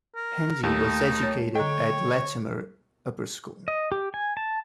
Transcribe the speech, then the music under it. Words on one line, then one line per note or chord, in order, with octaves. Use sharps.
Hendy was educated at Latymer Upper School.
A#4
D#2 A3 D#4 G4
C#5 A5
D3 C#5 D#5 G5
D#5
G4
G#5
A5